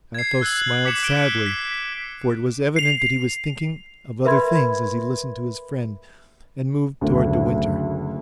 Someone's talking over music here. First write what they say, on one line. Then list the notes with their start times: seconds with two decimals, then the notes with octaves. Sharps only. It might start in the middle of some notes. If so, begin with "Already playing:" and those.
Athos smiled sadly, for it was evident that he was thinking of other things as he listened to his friend and moved toward De Winter.
0.14 G#6 C7
0.41 E6 F#6 G#6 F#7
0.85 D6 B6 C#7 E7
1.03 F#6 B6 D7 G7
1.46 B6
2.76 C7 F7
4.25 A#4 B4 E5 B5 C6 G#6
7.01 F#1 D2